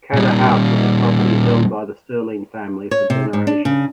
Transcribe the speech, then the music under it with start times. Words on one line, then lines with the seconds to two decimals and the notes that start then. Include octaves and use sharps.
Cadder House was a property held by the Stirling family for generations.
0.13 A#2 G3
2.91 C#5
3.10 C3
3.33 G#2
3.47 D4
3.65 C#3